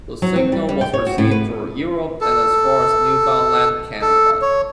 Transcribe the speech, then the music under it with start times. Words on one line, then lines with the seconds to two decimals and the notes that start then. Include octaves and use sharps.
The signal was received throughout Europe and as far as Newfoundland, Canada.
0.22 F#3
0.36 C4
0.52 G3
0.69 G3
0.81 G5
0.93 C#5
1.06 F#4
1.18 A2
1.31 B4
2.21 A4
4.01 A4
4.41 C#5